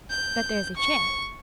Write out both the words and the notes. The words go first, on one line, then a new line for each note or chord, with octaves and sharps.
"But there's a chance?"
G6
C#6